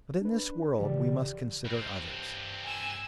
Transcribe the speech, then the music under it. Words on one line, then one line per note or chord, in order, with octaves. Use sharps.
But, in this world, we must consider others.
D4 B4
C#3 E3 F3 G4 D5
G2 C4
G#5 E6